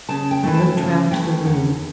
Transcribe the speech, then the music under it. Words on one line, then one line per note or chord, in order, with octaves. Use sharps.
I looked round the room.
C#3 A5
G5
E3 A3
A5
C#3 A5
E3 A3 G5
E2 F#5